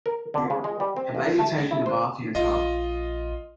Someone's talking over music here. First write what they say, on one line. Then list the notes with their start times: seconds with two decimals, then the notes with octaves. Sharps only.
A baby taking a bath in a tub.
0.06 A#4
0.34 D3
0.50 C#3
0.64 G#3
0.80 G3
0.97 C4
1.15 A1
1.38 A3
1.71 E4
1.86 C5
2.35 A#1 F4 D#5